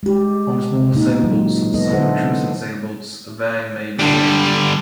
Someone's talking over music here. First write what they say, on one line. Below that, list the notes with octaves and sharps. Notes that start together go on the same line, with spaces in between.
On small sailboats and some cruising sailboats a vang may be omitted.
G#3 G4
A#2 C#3 A#3 D#4
E3 F#3 G#3
B3 A4 D#5
D3 E4 A4 C5 F#5
D3 G3 D4